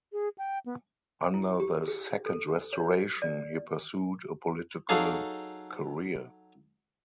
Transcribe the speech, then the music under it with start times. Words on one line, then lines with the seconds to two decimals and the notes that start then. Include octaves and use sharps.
Under the Second Restoration, he pursued a political career.
0.13 G#4
0.38 G5
0.66 B3
1.34 E4
1.60 G4
1.88 G#4
2.26 A4
2.73 C#5
3.22 D5
4.89 F#3 D#4 G#4 A4 F5